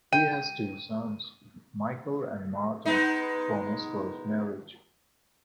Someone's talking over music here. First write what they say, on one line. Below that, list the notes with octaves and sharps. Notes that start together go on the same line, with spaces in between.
He has two sons, Michael and Martin, from his first marriage.
G5 D#7
G#3 B3 D#4